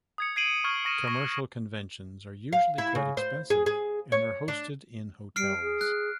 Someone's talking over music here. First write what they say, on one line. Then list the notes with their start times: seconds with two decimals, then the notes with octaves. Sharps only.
Commercial conventions are usually quite expensive and are hosted in hotels.
0.18 D#6 G#6 C#7
0.36 G#6 C7 D7 D#7 F#7
0.64 C#6 F6 G#6
0.85 C#6 A#6 D#7 E7
1.08 C#6 A#6
2.53 F5
2.78 E4
2.95 C#3
3.17 C5
3.50 G#4
3.66 G#4
4.12 C#5
4.48 D4
5.36 G3 F6 C7 D7
5.62 G#4
5.81 F#6